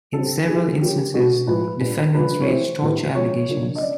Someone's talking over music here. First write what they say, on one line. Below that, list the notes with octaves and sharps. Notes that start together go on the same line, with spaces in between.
In several instances defendants raised torture allegations.
D3 G3 C4 A4
E3 G3 B3 G#4
F3 A#3 C#4 G4
B2 G#3 B3 D4 F#4
A2 F3 G#3 B4
A#2 G3 B3 D4 B4
C#3 F3 G#3 B3 D4 B4
C#5
E3 A3 C4 C5
A2 E3 G3 B3
F3 G#3 C#4 C#5
C#3 F3 A#3 D4
D#5
C#4 D5